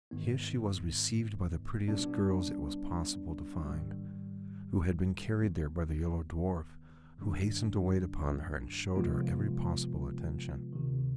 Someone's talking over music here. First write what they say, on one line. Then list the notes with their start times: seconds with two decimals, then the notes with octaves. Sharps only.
Here she was received by the prettiest girls it was possible to find, who had been carried there by the Yellow Dwarf, who hastened to wait upon her and showed her every possible attention.
0.11 G#2 D#3 B3 D#4
1.88 B2 G3 B3 D4
3.65 G#2 D#3 G3
5.42 D#2 D#3 B3
7.18 G2 D#3 G3 D4
8.95 C3 F3 G#3 B3 F4
10.73 D2 C3 D#3